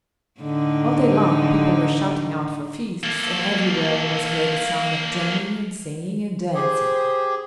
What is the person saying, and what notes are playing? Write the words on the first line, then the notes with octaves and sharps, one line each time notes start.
All day long people were shouting out for feasts, and everywhere was heard the sound of drumming and singing and dancing.
A2 D3 D#4
A#3 A4
G4 G#4 C5